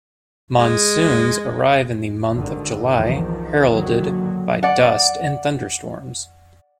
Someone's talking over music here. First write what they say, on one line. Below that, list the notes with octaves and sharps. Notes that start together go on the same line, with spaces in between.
Monsoons arrive in the month of July heralded by dust and thunderstorms.
G#3
G#1 D3 D#3
B1 E2 D#3 F3
A#2 D3 D#3 F#3
D5 F#5